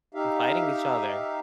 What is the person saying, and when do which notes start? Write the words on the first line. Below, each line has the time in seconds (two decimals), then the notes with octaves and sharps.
fighting each other,
0.14 D#4 G4 E5 F5